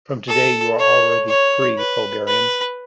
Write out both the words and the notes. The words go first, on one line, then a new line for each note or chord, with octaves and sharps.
From today you are already free Bulgarians!
A4
C#5
C#5
B4
B4